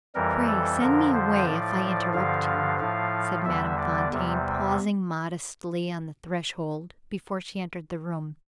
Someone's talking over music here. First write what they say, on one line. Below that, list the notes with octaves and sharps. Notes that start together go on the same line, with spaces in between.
"Pray send me away, if I interrupt you," said Madame Fontaine, pausing modestly on the threshold before she entered the room.
F2 E3 G3 A#4
A4
F2 D3 F3 A#4
C5
A2 F3 D5
G2 D3 F3 F5
F5
A2 F3 F5
E2 D3 G3 E5
D5
E2 C3 G3